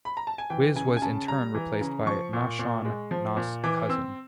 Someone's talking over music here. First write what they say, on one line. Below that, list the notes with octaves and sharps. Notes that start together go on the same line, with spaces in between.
Wiz was in turn replaced by Nashawn, Nas' cousin.
B5
A#5
A5
G#5
E3 G5
C#3 G#5
G#5
C#3 A5
G3 A#5
E3
C#3
F3 C#6
A#2
A#2
G#3
F3
A#2
E3 D6
C4 E6